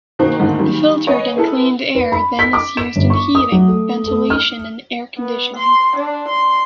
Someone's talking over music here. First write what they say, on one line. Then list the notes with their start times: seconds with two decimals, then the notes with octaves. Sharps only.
The filtered and cleaned air then is used in heating, ventilation and air conditioning.
0.19 B2 D#3 A#3 C4
0.39 D2 G#2 D3 D#3 A#3
0.59 A#2 D#3 F#3 G3
1.07 B4 C#5 D#5 F#5 G#5
1.36 B3 E4 G#4 A4 B4
1.95 B4
2.12 B5
2.39 B6
2.53 D6
2.77 E7
2.96 G1
3.10 C#6
3.35 D#6
3.52 F#3
3.68 A3
4.07 A3
4.30 F6
5.17 B3
5.56 C6
5.97 D4
6.29 C6